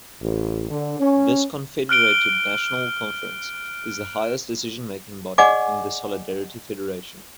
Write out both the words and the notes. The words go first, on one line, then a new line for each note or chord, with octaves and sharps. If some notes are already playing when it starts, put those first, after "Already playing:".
This confederated national conference is the highest decision making body in the Solidarity Federation.
A1
D3
C#4
F6 F#6 D7 G7
G#4 D5 D#5 F#5 G#5 D6